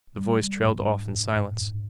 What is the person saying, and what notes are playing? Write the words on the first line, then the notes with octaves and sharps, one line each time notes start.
The voice trailed off in silence.
G3
G3
G#2
D4
G#2
G#2
G#2